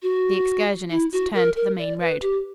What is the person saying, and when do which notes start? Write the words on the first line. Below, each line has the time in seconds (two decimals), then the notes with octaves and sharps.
The excursionists turned to the main road.
0.02 F#4
0.90 E4
1.12 F#4
1.34 A#4
1.56 A#4
1.78 D5
2.00 B4
2.21 G4